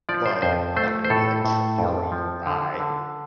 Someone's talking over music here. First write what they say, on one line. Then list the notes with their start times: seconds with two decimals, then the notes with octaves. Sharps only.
but I'm not gonna be like, "Pfft, you're wrong, bye."
0.09 F3 D5
0.26 C5
0.42 F2 C5
0.76 A3 C5
1.04 C5
1.10 A2 A4
1.45 A2
1.79 F2
2.12 F3
2.47 D3
2.80 D3